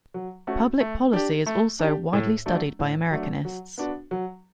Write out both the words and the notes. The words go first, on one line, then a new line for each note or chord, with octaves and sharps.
Public policy is also widely studied by Americanists.
F#3
A3 C#4 F#4
A3
D4 G4
A3
D4 G4
A2
F#3 A3 D4
A2
F#3 A3 D4
F#3
B3 D4 F#4
F#3